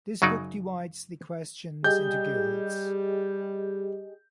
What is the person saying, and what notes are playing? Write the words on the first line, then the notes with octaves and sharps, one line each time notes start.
This book divides the questions into guilds.
F#2 C#3 F#3 D#4 D5
G3 G4 G#4 D#5 G6